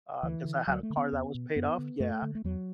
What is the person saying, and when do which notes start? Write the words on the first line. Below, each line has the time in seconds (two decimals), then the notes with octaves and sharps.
uh, 'cause I had a car that was paid off yeah,
0.23 D2 E3
0.45 D3
0.67 D2 F#3
0.83 A3
0.90 D3
0.97 B3
1.12 E2
1.35 B2
1.56 F#2 B3
1.78 D3
2.00 F#2 A3
2.22 D3
2.35 A3
2.44 E2 F#3